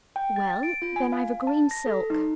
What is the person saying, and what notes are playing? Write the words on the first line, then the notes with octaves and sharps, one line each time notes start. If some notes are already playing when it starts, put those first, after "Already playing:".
'Well! then I've a green silk.
G5
A6
D7
F4
G#5
F5
A5
A#6
A4
D#4